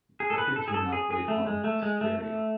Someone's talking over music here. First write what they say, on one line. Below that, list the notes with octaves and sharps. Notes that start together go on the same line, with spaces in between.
Records were now played on "a stereo".
G#4
A4
B4
A4
G#4
A4
G#4
G#4
A3
G#3
A3
G#3
A3
A3